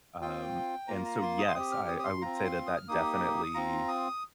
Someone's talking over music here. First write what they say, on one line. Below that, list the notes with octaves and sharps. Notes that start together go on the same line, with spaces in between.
Um, and so, yes, I I would say that that definitely
C4 F4 G5
A#3 F4 A#5
A#5
C6
D#6
C6
C4 G4 D#6
F6
D#6
D#6
C6
C4 F4 A#5
C6
D#6
F6
A#3 D#4 G4 D#6
C4 F4 A#5
D#6